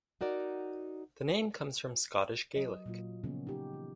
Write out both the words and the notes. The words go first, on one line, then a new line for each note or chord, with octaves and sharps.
The name comes from Scottish Gaelic.
D#4 F#4 A#4 D5
F#3 D#5
A#2 F#3 F4
C#3 F3 A#3 B3 C#4
D#4 G4
E3